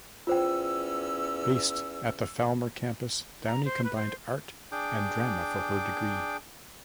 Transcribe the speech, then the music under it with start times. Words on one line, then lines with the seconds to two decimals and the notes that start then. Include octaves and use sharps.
Based at the Falmer campus Downey combined Art and Drama for her degree.
0.27 E2 C#4 F4 C5 G5 E6
3.47 A#5
3.65 C5
3.84 B4
3.96 C5
4.72 D4 G#4 G5 D6